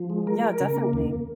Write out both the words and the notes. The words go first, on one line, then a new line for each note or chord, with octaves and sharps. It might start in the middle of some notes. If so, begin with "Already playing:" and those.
Yeah, definitely.
Already playing: F3
G#3
A#4
A#4
C#3
A#3
D#2